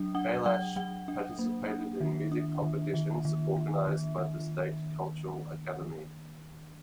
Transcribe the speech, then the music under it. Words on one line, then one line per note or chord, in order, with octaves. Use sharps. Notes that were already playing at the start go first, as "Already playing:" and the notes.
Kailash participated in music competitions organised by the state cultural academy.
Already playing: F#3 D4
D4 F#5
F#3 F#5
F#3 F#5
D4
A#3
D4
D#3
D4
D#3
D#3
D#3
D#3
D#3
D#3